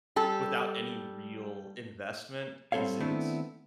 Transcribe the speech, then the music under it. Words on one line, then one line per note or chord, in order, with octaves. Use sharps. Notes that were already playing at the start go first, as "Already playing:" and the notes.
without any real investment isn't,
G3 A4
G3 C4 A4 C#5 F5
D#3 A3 B3 C4 D4 E4